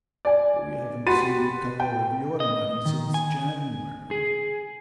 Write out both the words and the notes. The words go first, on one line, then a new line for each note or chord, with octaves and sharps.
We haven't seen the colour of your money since January.
D5 G#5
F#4 G4 B5 C6 A6 D#7
G5
D#5
D#3
G#5
G#4